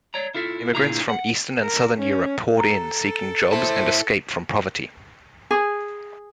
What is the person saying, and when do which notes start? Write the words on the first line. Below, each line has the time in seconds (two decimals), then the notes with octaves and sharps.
Immigrants from Eastern and Southern Europe poured in seeking jobs and escape from poverty.
0.14 C#5 D5 A#5
0.35 E4 F4 A4 E5
0.75 A#2 D3 E4 F4 G#4 A#5
1.09 F#5
1.61 A#4
1.98 C#4
2.57 A4 A#5
3.52 E4 C5 A5
5.51 G#4